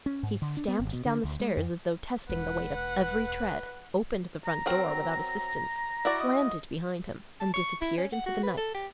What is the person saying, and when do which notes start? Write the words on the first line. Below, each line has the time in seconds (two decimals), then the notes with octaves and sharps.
He stamped down the stairs as though testing the weight of every tread, opened the front door without assistance, slammed it behind him and disappeared into the night.
0.06 C#4
0.23 G#2
0.42 D3
0.57 D4
0.68 B3
0.80 G#1
0.93 B2
1.05 D3
1.24 D2
1.40 G#3
1.57 F2
2.29 E1 B4 F#5
4.45 A#5
4.66 F#3 C4 A#4
6.05 E4 F#4 D5
6.19 D#5
7.40 A5
7.54 C#6
7.81 E4
7.97 C#4
8.12 F#5
8.26 F#4
8.43 B4
8.57 A4
8.74 G4